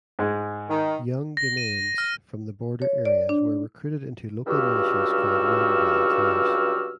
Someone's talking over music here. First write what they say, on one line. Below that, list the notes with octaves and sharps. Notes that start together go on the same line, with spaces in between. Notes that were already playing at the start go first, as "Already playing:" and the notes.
Young Guineans from the border areas were recruited into local militias called Young Volunteers.
G#2 G#3
D#3
A#6
D#7
F6
C#5
D5
D4
C#2 G2 F#4 G4 E6 F6